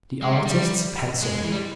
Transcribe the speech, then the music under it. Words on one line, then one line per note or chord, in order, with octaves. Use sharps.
The artist's pencil!
G#3
G3
G3
G#3
G#3
E3
G3